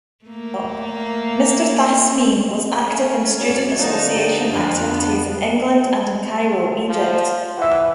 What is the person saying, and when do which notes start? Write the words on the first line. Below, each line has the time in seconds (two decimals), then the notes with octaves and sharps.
Mr. Thasmeen was active in student association activities in England and in Cairo, Egypt.
0.25 A3 A#3
2.85 A3 C#4
3.40 F#3 B3 C#5 D5
3.78 D3 F3 D#4 D5 A5
4.13 G4 A5
4.50 F2 D4 F4 D5
4.87 B3
6.88 F3
7.58 E3 E5 F#5